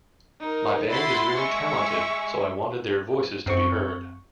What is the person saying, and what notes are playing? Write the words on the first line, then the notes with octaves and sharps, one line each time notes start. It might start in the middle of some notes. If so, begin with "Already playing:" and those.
My band is really talented, so I wanted their voices to be heard.
D#4 A#4
E4 F#4 B5 C6 A6
G#3 E5 C#6
F#2 C4 C#6